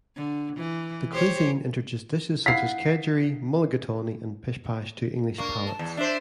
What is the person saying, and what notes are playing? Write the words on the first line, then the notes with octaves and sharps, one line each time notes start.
The cuisine introduced dishes such as kedgeree, mulligatawny and pish pash to English palates.
D3
E3
G4 C5 C#5
E4 F5 F#5 B6 C7
A#3 D4 C#6
A5
E2
D4 C5 E5